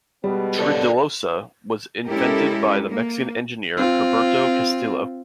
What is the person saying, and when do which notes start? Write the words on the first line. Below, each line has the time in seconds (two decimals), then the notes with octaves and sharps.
Tridilosa was invented by the Mexican engineer Heberto Castillo.
0.24 B2 G3 G#3 B3
0.59 A4 C#5 D5
2.07 G#3 C#4 E4 G4 A4 A#4
2.87 A#3
3.77 C4 F4